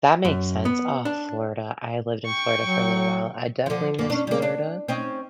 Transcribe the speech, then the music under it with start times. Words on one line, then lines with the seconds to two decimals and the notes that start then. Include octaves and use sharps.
That makes sense. Ah, Florida, I lived in Florida for a little while. I definitely miss Florida.
0.25 F#2
0.65 B3
1.05 D4
2.26 G5 C#6
2.60 F#3
3.66 D3 F3
3.98 F#2 A#3
4.10 C#4 D4
4.27 G3 A#3
4.42 D4
4.88 C4 C#4 D#4